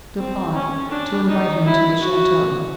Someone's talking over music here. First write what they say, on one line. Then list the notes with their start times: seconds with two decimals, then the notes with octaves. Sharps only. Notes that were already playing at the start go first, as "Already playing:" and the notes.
Du Pont to invite him to the chateau.
0.18 C4
0.54 C#4
0.90 D4
1.28 D#4
1.64 E4
2.01 F#4